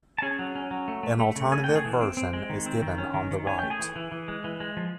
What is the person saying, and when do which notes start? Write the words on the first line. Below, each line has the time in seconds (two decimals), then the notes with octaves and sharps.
An alternative version is given on the right.
0.18 A5
0.22 C#4 G#4 G#5
0.39 F#3
0.55 C#4
0.71 F#3
0.88 A3
1.03 A3
1.20 A3
1.36 C#3
1.52 A3 G#5
1.64 G5
1.69 A3
1.75 G#4 G#5
1.85 E3
2.01 C4
2.17 C4
2.33 G#3
2.50 D#3
2.66 C4
2.82 D#3
2.98 C#4
3.14 D#3
3.31 D#3
3.47 C#4 G#5
3.59 A3 G5
3.70 G#4 G#5
3.79 E3
3.96 E3
4.12 E3
4.28 G#3
4.44 E3
4.60 G#3
4.77 F3